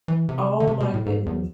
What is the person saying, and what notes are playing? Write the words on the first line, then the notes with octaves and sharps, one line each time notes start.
Oh my goodness.
E3
C3
D3
C3
B2
A2
G#2
E2